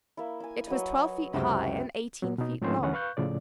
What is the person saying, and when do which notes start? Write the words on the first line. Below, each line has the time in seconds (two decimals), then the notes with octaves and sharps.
It was twelve feet high and eighteen feet long.
0.17 A#3 E4
0.40 E4 G#5
0.67 F#3 B4 D#5
1.33 C#2 F#2 C3 E4 F#4 G5
2.22 A#2 F#3
2.38 B2 D#4
2.62 G#2 F3 A3 C4 C#4 C5
2.79 D2 D#3 E3 C#4 F#5
2.93 B4 F5 C#6 F#6 G6
3.17 A2 C#3 F3 D5